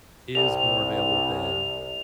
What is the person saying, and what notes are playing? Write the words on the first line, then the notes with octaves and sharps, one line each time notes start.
is more available than
C2 F7